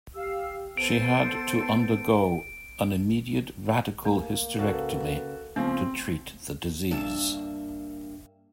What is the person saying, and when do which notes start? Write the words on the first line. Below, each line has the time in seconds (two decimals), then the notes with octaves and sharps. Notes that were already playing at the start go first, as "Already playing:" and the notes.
She had to undergo an immediate radical hysterectomy to treat the disease.
0.16 G4 F5 E6
0.77 B3 A4 C5 D7
4.04 A3 A#3 G#4
4.59 C#3 F#4 A4 B4 D5
5.56 C#3 F3 A3 B3 C4
6.91 G2 A#3 E5 A5